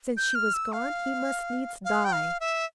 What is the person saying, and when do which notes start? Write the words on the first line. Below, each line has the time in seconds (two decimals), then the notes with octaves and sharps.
Since she was gone, he must needs die.
0.17 G6
0.35 F6
0.54 E6
0.72 F5
1.85 F5
2.05 G5
2.12 F5
2.40 E5